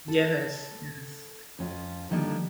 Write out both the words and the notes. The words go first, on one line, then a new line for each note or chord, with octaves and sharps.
Yes, yes.
A4
F2 C#4 F4
D3 D#3 F3 G3 A#3 D4